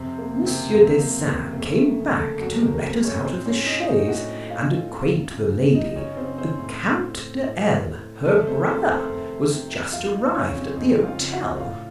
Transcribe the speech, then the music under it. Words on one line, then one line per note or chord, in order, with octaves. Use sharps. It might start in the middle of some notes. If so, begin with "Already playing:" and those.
Monsieur Dessein came back to let us out of the chaise, and acquaint the lady, the count de L-, her brother, was just arrived at the hotel.
Already playing: F2 C3 C4
A#3
C#3
C3 C4
F2 A#3
C4
A#3
C#3
A#3
F2 A3
A3
A#3
C#3
A3 A4
F2 F#3 F#4
A#3 A#4
A#4
C#3 C4 C5
C#4 C#5
A2 C4 C5
C#4 C#5
D#4 D#5
D#4 D#5
A2 F#4 F#5
F4 F5
F#2
C#3
F#2 D#4 D#5
C#4 C#5
C#3 C4 C5
C4 C5
A2
A2
F2 A3 A4
C4 C5
A#4
C3 D#3 A3 A4
C4 C5
F2
C3 D#3
F2 F4 F5
D#4 D#5
C#3 C#4 C#5
C4 C5
F2 D#4 D#5
F4 F5
C#3
F#4 F#5
A2 F4 F5